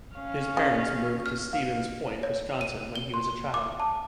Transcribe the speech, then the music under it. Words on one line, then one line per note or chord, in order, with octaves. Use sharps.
His parents moved to Stevens Point, Wisconsin when he was a child.
C#4 F5
C#3
F6
F5
C#5
D#7
G7
C6
D6
A5